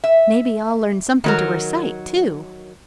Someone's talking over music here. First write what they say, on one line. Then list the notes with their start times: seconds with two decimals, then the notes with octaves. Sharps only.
"May be I'll learn something to recite, too."
0.04 E5
1.24 D#3 F#3 A#4